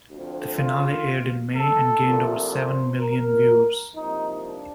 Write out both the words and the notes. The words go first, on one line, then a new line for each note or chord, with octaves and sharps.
The finale aired in May and gained over seven million viewers.
D2 D3 F3 C4
F4
A4
C2 A#2 F3 A3
C5
A#4
C2 C3 F3 A#3 D#4
D4